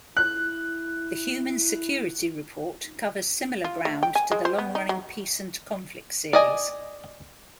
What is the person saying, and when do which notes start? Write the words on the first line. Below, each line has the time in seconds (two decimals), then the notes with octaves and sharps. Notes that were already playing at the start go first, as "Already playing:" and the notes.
The "Human Security Report" covers similar ground to the long-running Peace and Conflict series.
0.17 E4 F#6
3.64 F4
3.85 A3
4.03 G5
4.15 G#5
4.32 G#3
4.45 C5
4.58 B3
4.75 D#4
4.89 F#3
6.33 D5 D#5 G#5